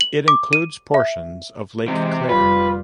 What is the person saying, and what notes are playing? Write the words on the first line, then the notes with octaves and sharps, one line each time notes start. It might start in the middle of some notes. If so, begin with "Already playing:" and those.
It includes portions of Lake Claire.
F#7
D6
D#7
E5
C3 E3 G#3
F1 G3 F4 B4